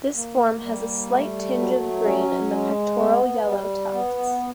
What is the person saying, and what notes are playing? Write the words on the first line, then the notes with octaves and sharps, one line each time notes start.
This form has a slight tinge of green in the pectoral yellow tufts.
A#3
G3
A3
F#3
C#4
G#3
B3
G3
B3